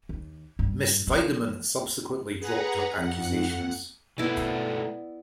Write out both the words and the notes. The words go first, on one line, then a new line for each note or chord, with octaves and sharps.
Miss Weideman subsequently dropped her accusations.
D#2
G2
F3
G#4 B4 F#5 A#5
F2 F#5
B2 A3 B3 E4 D5